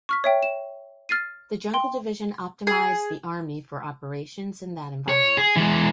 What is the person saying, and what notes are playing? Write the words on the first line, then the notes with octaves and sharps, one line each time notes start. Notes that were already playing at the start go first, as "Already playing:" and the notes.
The jungle division optimised the Army for operations in that environment.
C#6 F6 B6
C#5 E5 G5
E7
F6 A6 C7 D#7
G5 C6
G#4
C#5
G#4
E3 G#3